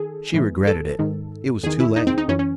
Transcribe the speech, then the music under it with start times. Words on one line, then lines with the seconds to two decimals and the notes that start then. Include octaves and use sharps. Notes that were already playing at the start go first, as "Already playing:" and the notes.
She regretted it. It was too late.
Already playing: D#3 G#4 A4
0.34 A2 E3
0.67 A4
0.99 G#2 D#3
1.63 E2 D#3 G#4
1.80 E4
1.96 D#4
2.07 C4
2.18 D#4
2.28 F#2 E3 C#4
2.39 C#4